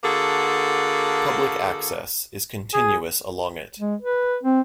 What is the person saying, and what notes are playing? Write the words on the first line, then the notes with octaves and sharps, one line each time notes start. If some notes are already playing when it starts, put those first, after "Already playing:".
Public access is continuous along it.
D3 A#3 F#4 G#4 A4
G#4
G#3
B4
C4